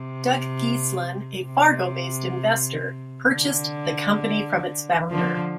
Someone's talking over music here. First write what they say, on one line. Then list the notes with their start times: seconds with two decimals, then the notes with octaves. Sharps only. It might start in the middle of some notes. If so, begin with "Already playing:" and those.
Doug Geeslin, a Fargo-based investor, purchased the company from its founder.
Already playing: C3
1.45 C3
3.28 D3
5.10 D3 F3